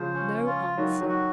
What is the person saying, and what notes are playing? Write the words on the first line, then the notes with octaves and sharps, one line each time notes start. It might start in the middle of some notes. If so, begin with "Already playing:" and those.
No answer.
Already playing: C#3 F3 C5
C#4
F4
D#3 F#3 F#4
D#3 F#3
F#4